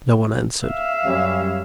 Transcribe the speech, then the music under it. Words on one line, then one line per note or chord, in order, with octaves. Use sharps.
No one answered.
E5 F5
F#2 G3 C#4